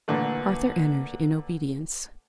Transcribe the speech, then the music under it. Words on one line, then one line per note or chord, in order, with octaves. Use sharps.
Arthur entered, in obedience.
A#2 D3 E3 A3